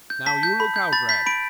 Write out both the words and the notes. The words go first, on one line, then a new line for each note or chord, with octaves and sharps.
Now, you look out, Rat!
G6
A5 B6
G6
B5
G6
B5 A6
G6 B6
B5 D7